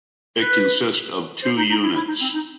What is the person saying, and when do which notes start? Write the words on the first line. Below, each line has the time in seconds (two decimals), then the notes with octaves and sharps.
It consist of two units.
0.40 B4
1.43 C5
1.56 D#4
1.70 D#4
1.83 E4
1.95 E4
2.07 D#4
2.20 C4
2.33 D#4